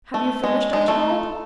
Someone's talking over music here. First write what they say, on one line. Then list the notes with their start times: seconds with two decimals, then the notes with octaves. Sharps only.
"Have you finished, Archibald?"
0.14 A3
0.44 G#3
0.73 G#3
0.88 A3